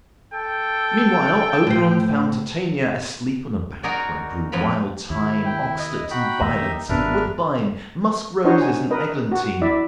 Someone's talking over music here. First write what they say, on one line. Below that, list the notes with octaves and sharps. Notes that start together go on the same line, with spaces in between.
Meanwhile Oberon found Titania asleep on a bank where grew wild thyme, oxlips, and violets, and woodbine, musk-roses and eglantine.
A4 G5
A2 C5
D#4 F#4 G#4 A#4 D5
F2 G#2 B4 F5 B5
D#2 E4
G5
D#5
D#4 F#4 G5 B5
D#2 A#3 G4 D#5 E5
G#1 G2 B3 D4 A#4 B4 E5
D4 D#4 F#4 C5 C#5 D#5
G#5
A#4 B4 D#5
F#4
E4 D5 E5